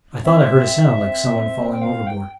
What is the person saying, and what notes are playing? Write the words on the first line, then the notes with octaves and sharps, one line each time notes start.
I thought I heard a sound like some one falling overboard.
C4 E5
C4
G5
F5
G5